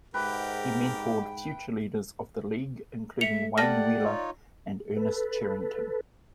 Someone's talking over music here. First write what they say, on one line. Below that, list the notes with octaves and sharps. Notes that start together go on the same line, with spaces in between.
He mentored future leaders of the league, including Wayne Wheeler and Ernest Cherrington.
G#2 G4 A#4 B4 E5 F#5 G5
A3 E5 C#7 F7
G4 D5 F#5 A5 F6 A#6
D#4 F4 C#5
A4 B4